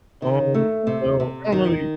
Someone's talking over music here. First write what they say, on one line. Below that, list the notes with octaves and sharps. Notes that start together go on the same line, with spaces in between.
Um, so, I don't really
D#3
A3
C3
C3
D#3